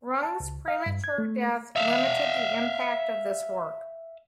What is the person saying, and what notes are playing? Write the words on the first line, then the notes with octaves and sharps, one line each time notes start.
Runge's premature death limited the impact of this work.
A5
C#2
F5
G2
G#6
A3
E5 F5